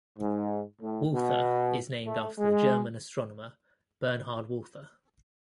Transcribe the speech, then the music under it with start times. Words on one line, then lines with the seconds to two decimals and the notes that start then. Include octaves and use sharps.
Walther is named after the German astronomer Bernhard Walther.
0.19 G#2
0.82 A2
1.13 B2
2.06 A3
2.39 G#3